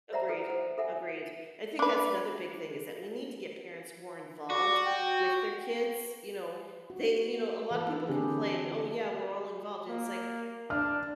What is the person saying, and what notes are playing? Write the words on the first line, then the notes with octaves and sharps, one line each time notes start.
Agreed. Agreed. I think that's another big thing is that we need to get parents more involved with their kids, you know, they you know, a lot of people can claim, "Oh, yeah, we're all involved," and it's like,
C5 D5 E5 F#5 A5 A#5
A4 B4 G5
C5 F#5
A4 E5 F#5 G#5
D4 B4
F#4 D5
G5
F#4
E3 A4 B4
D3 C4 D4 E4 G4 G#4
A#3
D4 F6